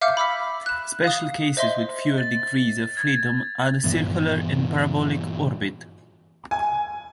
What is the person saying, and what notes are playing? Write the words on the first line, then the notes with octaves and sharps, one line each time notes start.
Special cases with fewer degrees of freedom are the circular and parabolic orbit.
E5 F5 D6 F6 G6 C#7
B5 D6 E6 B6
F#6 E7
F5 D#6
C5 D#5 E5 C6
A6
G#6
G2 A#2 E3 B3
G#5